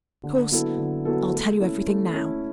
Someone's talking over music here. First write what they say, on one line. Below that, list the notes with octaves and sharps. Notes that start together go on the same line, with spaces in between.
Of course I'll tell you everything now.
D3
F#3 B3 E4 A4
D3
F#3 B3 E4 A4
A3
C#4 E4 A4
A3
C#4 E4 A4